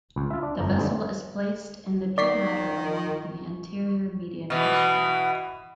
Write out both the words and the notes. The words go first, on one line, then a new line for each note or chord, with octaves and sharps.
The vessel is placed in the pia mater along the anterior median fissure.
C#2
F4 E5
D4
G1 F2 A3 A#5
D3 G3 A3 C4 C#4 D#4
D#3 D5 C#6 B6 C7
B2 E3